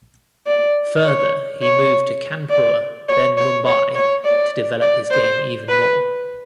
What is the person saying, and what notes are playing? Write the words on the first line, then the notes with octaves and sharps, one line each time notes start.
Further he moved to Kanpur then Mumbai to develop his game even more.
D5
C#5
C#5
D5
C#5
C#5
C#5
C#5
D5
D5
C5
B4